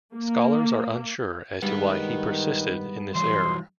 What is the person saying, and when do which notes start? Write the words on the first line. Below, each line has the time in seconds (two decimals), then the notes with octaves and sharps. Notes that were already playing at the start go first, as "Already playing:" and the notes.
Scholars are unsure as to why he persisted in this error.
0.15 A#3
1.62 G2 D#3 G3 G#3 B3
3.15 E3 F#3 C6